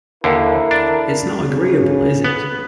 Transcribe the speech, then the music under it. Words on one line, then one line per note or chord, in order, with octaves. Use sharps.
It's not agreeable, is it?
D#2 D3 E4 A4 A#4
D4
C#3
B3